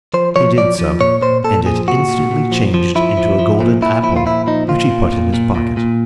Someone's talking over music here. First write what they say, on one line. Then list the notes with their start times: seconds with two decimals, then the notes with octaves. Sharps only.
He did so, and it instantly changed into a golden apple, which he put in his pocket.
0.14 F3 C5
0.36 F3 C#5
0.57 F3 D5
0.79 F3
1.00 A#2 C#5
1.22 A#2 C5
1.44 A#2 A4
1.65 F3 G#4
1.88 A#2 F#4
2.09 A#2
2.31 A#2
2.52 F3
2.74 F3
2.95 F3 E4
3.17 F3
3.39 F3
3.60 A#2
3.82 A#2 E4
4.03 F3 E4
4.16 F4
4.26 A#2 E4
4.47 F3 D#4
4.68 A#2 F4
4.90 A#2
5.12 A#2
5.34 A#2
5.55 A#2
5.77 A#2